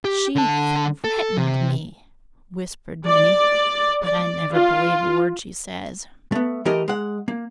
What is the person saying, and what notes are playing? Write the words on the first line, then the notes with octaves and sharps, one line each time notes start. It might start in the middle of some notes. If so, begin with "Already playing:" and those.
"She THREATENED me," whispered Minnie, "but I never believe a word she says."
G4
D3 A5
A4
C3
D5
D5
F4
A3 B3
E3 A3 G4 A#4 D#5
G#3 F#5
A#3